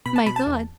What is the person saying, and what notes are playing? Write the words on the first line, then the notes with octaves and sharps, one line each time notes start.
"My God!"
B2 B5
A5
B2 B5
A5
E2